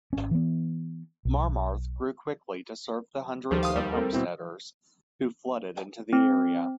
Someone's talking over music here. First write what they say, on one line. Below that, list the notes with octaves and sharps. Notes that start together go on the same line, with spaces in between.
Marmarth grew quickly to serve the hundreds of homesteaders who flooded into the area.
G#1 C#4
E3 B3
B1
D2 D#3 F3 G3 G4 C5
F5 C6 D#6
D#2 G3
C4 A4 A#4
B2 C4 E4
C4